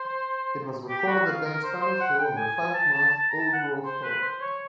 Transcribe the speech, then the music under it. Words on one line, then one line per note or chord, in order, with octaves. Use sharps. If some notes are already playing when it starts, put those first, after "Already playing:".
It was recorded at the band's final show of their five-month "Old Growth" tour.
Already playing: C5
G4
F#4
F4
A#4
C5
C5
F#5
G5
G#5
G#5
A5
A5
A5
A#5
A5
F#5
C5
B4
C5
C#5